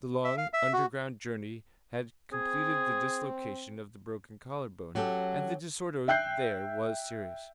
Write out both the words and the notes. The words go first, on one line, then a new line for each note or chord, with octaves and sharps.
The long, underground journey had completed the dislocation of the broken collar-bone, and the disorder there was serious.
E5
F5
E5
F#4
C4 G#4
F#3 C#4 G4 A4
E5 G5 F#6 G6 C7